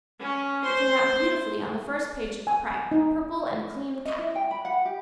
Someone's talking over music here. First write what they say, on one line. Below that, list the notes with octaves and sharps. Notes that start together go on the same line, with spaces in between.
It came out beautifully on the first page of the primer, purple and clean-cut.
C#4
C5 C6
G#5
D#4
D#5
E4
G5
B5
F#5
G4